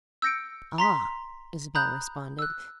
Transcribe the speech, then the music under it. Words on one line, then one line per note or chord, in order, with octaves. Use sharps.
"Ah!" Isabel responded.
E6 G6 A#6 C#7 D7
A#5 C6 B6
A#5 B5 D#6 F#6 G6
E6 F#6